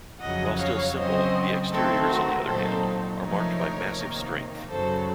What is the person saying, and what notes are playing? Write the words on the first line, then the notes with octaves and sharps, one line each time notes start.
While still simple, the exteriors on the other hand, are marked by massive strength.
F2 C#3 F#3 D#5 F#5
C#5 F5
C#3 F#3 C4 C5 D#5
D#3 A3 C4 A4
F#4 A#4
A#2 F#3 C4 D#4 A4 C5
C3 F3 A3 D#4 A#4 C#5
C3 D#3 A#3 D#4
F#2 C#3 F#3 A4 C5